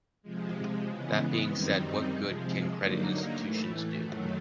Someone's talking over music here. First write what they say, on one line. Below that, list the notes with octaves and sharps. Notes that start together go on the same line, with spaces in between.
That being said, what good can credit institutions do?
C3 F3 G#3
C#3 E3 G#3 B3
F#2 D#3 G3 C4 D#4
C3 F3 G#3
G2 D3 F#3 A#3 D#4
A2 E3 A3
F#2 D#3 F#3 A3